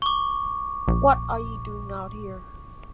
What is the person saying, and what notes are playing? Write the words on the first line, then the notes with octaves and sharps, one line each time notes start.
What are you doing out here.
C#6 D6
A#1